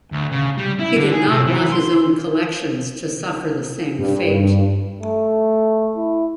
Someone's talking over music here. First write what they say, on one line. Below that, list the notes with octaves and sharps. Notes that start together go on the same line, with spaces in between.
He did not want his own collections to suffer the same fate.
D2
C#3
G3
E4
D3
G#4
C3
E3
C6
G2
A3
E4